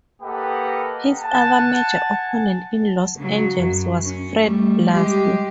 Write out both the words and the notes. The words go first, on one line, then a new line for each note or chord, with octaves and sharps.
His other major opponent in Los Angeles was Fred Blassie.
A#3 G4 A4 B4 D#5 F#5
F#5 G#5 A5
C#3 F#3
F#2
C#4
G3 A3
G#3 G4